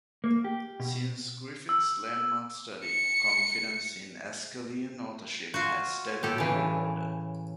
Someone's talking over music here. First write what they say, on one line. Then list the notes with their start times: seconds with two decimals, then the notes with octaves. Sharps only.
Since Griffith's landmark study, confidence in Aeschylean authorship has steadily eroded.
0.24 A#3
0.44 G4
0.80 B2
1.69 E6
2.85 C#7
5.54 F4 F#4
6.23 A2 G4 A4
6.38 C#3 E3